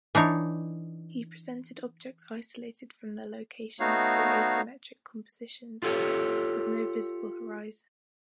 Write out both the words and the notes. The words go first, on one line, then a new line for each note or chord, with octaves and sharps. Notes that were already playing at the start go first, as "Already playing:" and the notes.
He presented objects isolated from their locations through asymmetric compositions with no visible horizon.
E3 D4 D#4 C#5
A3 B3 D#4 F#4 C#5 F5
F4 G4 A4 C#5